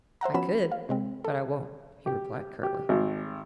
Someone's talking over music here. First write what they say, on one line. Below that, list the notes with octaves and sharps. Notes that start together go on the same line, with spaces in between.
"I could, but I won't," he replied curtly.
C5 E5 F#5 A#5
F3 B3 C#4 F#4 B5 E7
F5
C3 G#3 C4
A4
G4
G4
G#1